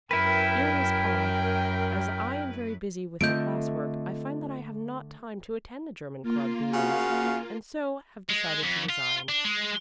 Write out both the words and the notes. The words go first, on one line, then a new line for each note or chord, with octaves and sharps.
DEAR MISS POND: As I am very busy with my class work, I find that I have not time to attend the German Club meetings, and so have decided to resign.
F#2 E4 A#4 B4 G5
D3 A3 C4 F4 D#5 G6 D7
A#3 F4
C#3 F#4 F5
G#3
F2
F4
D4
G#3